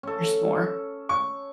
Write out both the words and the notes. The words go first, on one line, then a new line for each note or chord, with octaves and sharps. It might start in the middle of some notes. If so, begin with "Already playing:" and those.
There's more.
C#4 A4
C#6